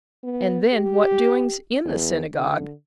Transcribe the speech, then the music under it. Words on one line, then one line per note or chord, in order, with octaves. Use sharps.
And then what doings in the synagogue!
B3
G4
E2
D3